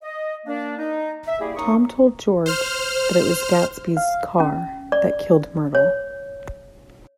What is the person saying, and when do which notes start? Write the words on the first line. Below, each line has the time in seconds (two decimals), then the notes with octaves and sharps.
Tom told George that it was Gatsby's car that killed Myrtle.
0.02 D#5
0.45 A#3 D4
0.78 D#4
1.28 E5
1.40 G3 A#3 E4 G4 G#4
1.56 F#2 A#3 D#4 A#5 C#6 D#6
2.46 C5 F6
3.97 F5
4.40 C#4
4.92 D5
5.75 C#5